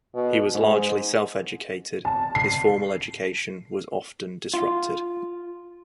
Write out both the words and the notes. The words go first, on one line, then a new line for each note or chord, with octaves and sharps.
He was largely self-educated: his formal education was often disrupted.
B2
G#2
A5
C7
F4